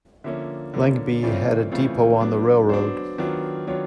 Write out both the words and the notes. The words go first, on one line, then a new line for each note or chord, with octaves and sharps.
Lengby had a depot on the railroad.
D3 F3 A#3 C#4 E5
D3 F3 A#3 C#4
C#3 E3 A3 C4 F4 D5
C#5
D5
C#3 E3 A3 C4 F4
F#3 B3 D4
F#3 B3 D4 C5
D#3 F#3 B3 D4 F4
D#3 F#3 B3 D4 F4 C#5